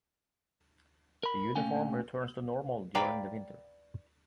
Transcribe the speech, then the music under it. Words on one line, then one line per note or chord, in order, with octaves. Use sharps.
The uniform returns to normal during the winter.
A#4 B5
A#2 A3 C#4 F5 G5 G#5
B4 D5 F5 G5 A#5 B5